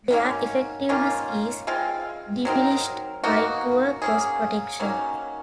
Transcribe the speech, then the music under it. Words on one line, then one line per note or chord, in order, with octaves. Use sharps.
Their effectiveness is diminished by poor cross-protection.
D#3 F#3 A#3 C#4
D#3 A#3 C#4 F4
G#3 C4 F4
F#3 C4 D#4 A#4
A#3 D#4 F#4
A#3 C#4 G#4
D#3 F#3 A#3 C#4